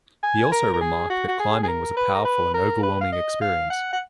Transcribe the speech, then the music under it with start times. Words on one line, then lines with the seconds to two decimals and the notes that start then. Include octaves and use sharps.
He also remarked that climbing was a powerful and overwhelming experience.
0.23 G#5
0.52 A#4
0.74 A#4
0.81 G#4
1.10 F#4
1.28 F#4
1.40 G#4
1.63 G#4
1.68 A#4
1.97 B4
2.15 A#4
2.25 B4
2.54 A#4
2.83 B4
3.01 F5
3.13 D#5
3.41 F5
3.70 F#5
3.93 F#5